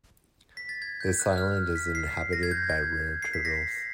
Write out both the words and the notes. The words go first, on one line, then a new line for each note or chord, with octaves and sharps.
This island is inhabited by rare turtles.
B6
A6
G#6
G6
F#6
F#6
F6
F6
B6
C7
A#6
G#6
G6
G#6
C7
B6
A#6